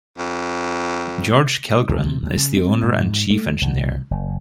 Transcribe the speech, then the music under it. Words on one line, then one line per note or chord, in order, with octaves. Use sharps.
George Kellgren is the owner and Chief Engineer.
F2
C#2
C3
D2
C#3
C4
G#2
A3
C2
F#1